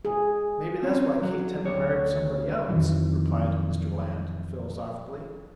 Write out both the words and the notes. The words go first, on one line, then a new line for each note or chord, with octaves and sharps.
"Maybe that's why Kate Tender married somebody else," replied Mr. Land philosophically.
G#4
C4 C#4
F#3
D2 C#5
F2 D#3 E3 F#3